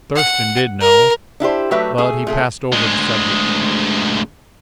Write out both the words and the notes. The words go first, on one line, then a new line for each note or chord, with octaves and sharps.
Thurston did know, but he passed over the subject.
F#5
A#4
D4 E4 G4 C5
F#3 A3 G4 B4 E5
A3 G#4 G#5
A#2 A3 G#4
D2 G#3